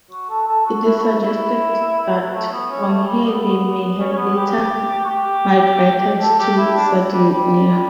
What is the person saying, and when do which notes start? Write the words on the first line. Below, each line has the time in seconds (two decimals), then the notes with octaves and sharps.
It is suggested that from here they may have later migrated to Sardinia.
0.11 F#4
0.30 A4
0.48 A4
0.66 F#4
0.85 E4
0.97 F#4
1.03 E4
1.21 E4
2.33 A3
2.51 B3
2.69 C#4
2.88 A3
3.06 G3
3.25 B3
3.99 C#4
4.12 C#4
4.17 B3
4.36 G4
5.04 F#4
5.09 G4
6.21 A4
6.39 G4
6.57 E4
6.76 D4
7.13 G3
7.31 G3